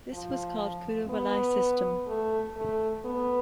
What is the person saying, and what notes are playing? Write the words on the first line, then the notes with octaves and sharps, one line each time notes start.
This was called "Kudavolai" system.
F3
B3
A3
A3
B3